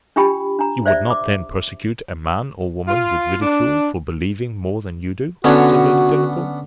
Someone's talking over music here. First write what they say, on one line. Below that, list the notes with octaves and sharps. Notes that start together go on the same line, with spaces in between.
"You would not then persecute a man or woman with ridicule for believing more than you do?" said Lady Delacour.
D4 F4 G4 G5 B5
D4 A#5
C5 D5 E5
D6
F4
D4
D3 B3 C#4 D4 F#4 C#5